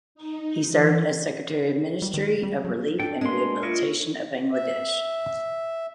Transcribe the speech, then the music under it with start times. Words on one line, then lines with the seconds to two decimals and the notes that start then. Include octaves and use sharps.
He served as Secretary of Ministry of Relief and Rehabilitation of Bangladesh.
0.15 D#4
0.66 E3
2.02 G3
2.14 D#3
2.43 G3
2.65 F#3
3.00 D4 A4 G5
3.21 G#3 A#3 D4 D#5 C6
3.63 E4 F4 C#5 D#5
4.52 E5